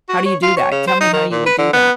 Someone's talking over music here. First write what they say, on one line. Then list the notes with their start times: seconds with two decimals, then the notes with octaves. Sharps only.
How do you do that? Tell me how you would do that.
0.09 F#4
0.25 C#5
0.43 F4
0.57 C#5
0.71 C#3
0.87 C5
1.01 D#4
1.13 D#3
1.31 A#2
1.46 B4
1.58 D3
1.73 B3